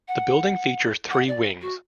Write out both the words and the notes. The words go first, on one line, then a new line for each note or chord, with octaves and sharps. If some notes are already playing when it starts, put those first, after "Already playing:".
The building features three wings.
F#5
F#5
D5
F#4